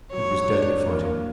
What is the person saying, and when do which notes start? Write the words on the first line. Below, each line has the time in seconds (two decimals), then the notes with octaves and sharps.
It was deadly fighting.
0.11 F#3 C#5
0.30 F#3
0.49 D4
0.68 F#3
0.87 A#3
1.05 A#3